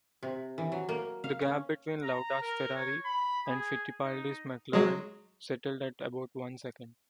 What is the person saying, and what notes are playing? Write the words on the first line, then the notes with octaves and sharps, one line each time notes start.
The gap between Lauda's Ferrari and Fittipaldi's McLaren settled at about one second.
C3
E3
F#3
A#3
F5
C#4
A#5
A#4
C#5
B5
G#4
D#4
F#3 G#3